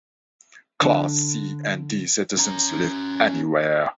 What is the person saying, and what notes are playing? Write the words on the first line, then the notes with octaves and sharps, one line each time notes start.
Class C and D citizens live anywhere.
D3
C#4 A#5